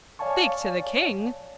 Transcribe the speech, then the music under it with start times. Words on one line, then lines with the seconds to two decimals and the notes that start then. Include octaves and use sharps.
'Speak to the King!...
0.19 C#5 D5 F5 G#5 A5 C#6